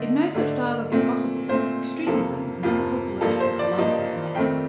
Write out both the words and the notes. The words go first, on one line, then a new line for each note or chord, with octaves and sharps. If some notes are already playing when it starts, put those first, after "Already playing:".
If no such dialogue is possible, extremism and physical coercion are likely inevitable.
Already playing: D3 A3 D4 D#5
D3 A3 D4
A#2 A3 C4
A#2 A3 C4 C5
F2 C3 F3 A#3 A4
F2 C3 F3 A#3 F4
G2 F3 A#3 A4
C5
D5
G2 F3 A#3 D#5
F2 D#3 A3 C4 G5